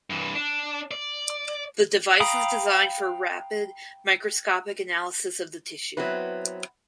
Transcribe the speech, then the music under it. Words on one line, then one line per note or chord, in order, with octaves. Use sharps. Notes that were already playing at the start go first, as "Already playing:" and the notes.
The device is designed for rapid microscopic analysis of the tissue.
G2 E3
D4
D5
F5 G5 A#5 B5 D#6
F#3 B3 C4 E4 B4